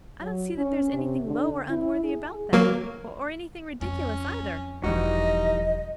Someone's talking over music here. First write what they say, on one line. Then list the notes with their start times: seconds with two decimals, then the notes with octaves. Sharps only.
I don't see that there's anything low or unworthy about that, or anything ridiculous either.
0.21 F#3
0.58 C#4
0.93 C3
1.27 D3
1.70 E4
2.04 G#4
2.53 F#3 A#3
3.81 F2 C#4
4.84 E1 E3 F3 G3 D#4 F#4 D#5